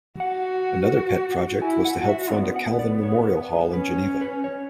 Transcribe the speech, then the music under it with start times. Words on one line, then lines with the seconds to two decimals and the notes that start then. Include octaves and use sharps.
Another pet project was to help fund a Calvin memorial hall in Geneva.
0.20 F#4 F#5
1.61 E4 G#5
1.85 F#5
1.97 F#4
2.09 E5
2.32 B3 D5
2.56 F#5
2.79 D5
3.03 C#5
3.73 C#4 B4
3.97 C#5
4.21 B4
4.44 C#5